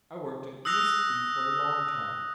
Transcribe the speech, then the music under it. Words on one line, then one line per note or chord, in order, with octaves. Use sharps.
I worked in ESP for a long time.
D#6 E6 F#6 A#6 F7